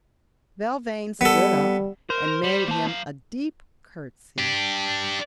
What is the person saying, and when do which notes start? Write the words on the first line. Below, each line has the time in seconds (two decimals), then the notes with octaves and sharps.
Belvane stood up and made him a deep curtsey.
1.21 G3 B3 A4
2.10 A#4 C5
2.43 G3
2.68 A#3 A5
2.88 F#3 F5
4.38 D4 G4